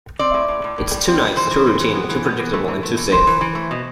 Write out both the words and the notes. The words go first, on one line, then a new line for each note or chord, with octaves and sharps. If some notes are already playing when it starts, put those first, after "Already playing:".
It's too nice, too routine, too predictable, and too safe.
C4 D5
A2
A2
A2
A2
G3
C4
G3
E3 C5
E3
E3
E3
B3
E3
B3
E3
A3
E3
A3
E3
E3 C5
E3
E3
A3
B2